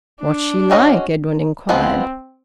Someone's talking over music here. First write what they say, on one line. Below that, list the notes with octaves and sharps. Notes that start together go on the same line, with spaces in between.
"What's she like?" Edwin inquired.
D4
G#3 C#4 F#4 A#4 D#5
F3 G#3 B3 C4